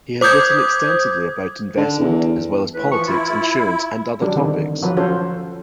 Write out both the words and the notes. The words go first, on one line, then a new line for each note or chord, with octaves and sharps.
He has written extensively about investment, as well as politics, insurance, and other topics.
C5 D6 D#6 G6 G#6
D3
E2
A2 B4
E3 F3 C#6
E4 F4
F#3 G3 D4 F#4
D3 D#3 C4
F3 F#3 F4 B4
C#4 F4 F#4 A4 C5 C#5